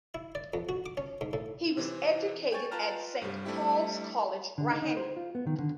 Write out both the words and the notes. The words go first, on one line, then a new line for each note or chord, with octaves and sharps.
He was educated at Saint Paul's College, Raheny.
E4
D5
F2
F#4
D6
C#4
G#2
A2
C3 E3 C4
G5 G#5 C#6 A6
F4 B4 G5 A5 A#5 F6
G2 C3 G3
G3 A3 C4 D4 E4 G4
D3
D#4
D#4
C5
F4
B3
D#3
D3